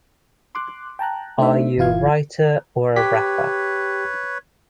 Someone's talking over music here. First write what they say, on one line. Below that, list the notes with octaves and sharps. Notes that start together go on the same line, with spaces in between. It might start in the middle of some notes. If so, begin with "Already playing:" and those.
Are you a writer or a wrapper?
C6 D6 F#6
G5 A5 A#5 F#6
A3 D4 D#4 C5 E5
G1 E3 E4 F4 F5 G#6
G4 B4 C#5 B6